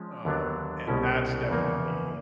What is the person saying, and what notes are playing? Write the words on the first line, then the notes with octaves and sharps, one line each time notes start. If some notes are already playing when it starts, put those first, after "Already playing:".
Um, and that's definitely
Already playing: F3 G#3 C#4
D#2 D3 F#3 B3 D4
C2 B2 G#3 C#4 E4
E2 C#3 F3 A#3 D#4